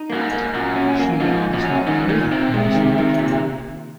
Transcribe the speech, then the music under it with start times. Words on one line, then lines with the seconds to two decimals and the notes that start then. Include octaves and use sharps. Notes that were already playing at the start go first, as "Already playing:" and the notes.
She was not here last night.
Already playing: D#4
0.10 F#2 A#3
0.21 G#2
0.33 A#3
0.54 F#2 A#2
0.76 C#4
0.99 A#3
1.21 G#2 F3
1.43 A#2
1.54 F#2
1.65 C#4
1.87 G#2 D#3
2.09 A#2 D#3
2.31 C3 C4
2.54 G#3
2.75 D#3
2.98 D#3
3.19 A#2